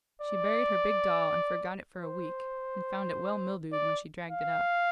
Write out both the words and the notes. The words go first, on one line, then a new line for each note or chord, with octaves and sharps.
She buried her big doll and forgot it for a week, and found it well mildewed when she dragged it up.
D5
C5
D5
F5